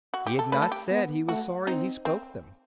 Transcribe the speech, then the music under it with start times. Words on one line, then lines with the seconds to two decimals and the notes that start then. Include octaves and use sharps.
He had not said he was sorry he spoke them.
0.14 F#4
0.27 G4
0.39 A4
0.52 A3 B4
0.62 A4
0.72 G4
0.91 B3
1.28 A3 F#4
1.67 C4 D#4
2.05 C4